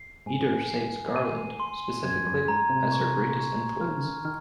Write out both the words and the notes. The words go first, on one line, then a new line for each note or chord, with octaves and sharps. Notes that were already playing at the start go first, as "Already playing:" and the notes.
Eder cites Garland, specifically, as her greatest influence.
Already playing: C7
G#2 G#5
C7
D#7
C6
F#2 G#6
F2
F#2
G#2 A#5
C3
C#6
C#6
F3 F6
D#3
C#3
D#3
D#3 F6